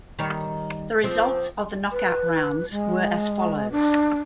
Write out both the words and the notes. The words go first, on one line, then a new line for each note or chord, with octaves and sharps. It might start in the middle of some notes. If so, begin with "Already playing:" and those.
The results of the knockout rounds were as follows.
D#3 G3 C#5
F3 C4
B4
G#3
D4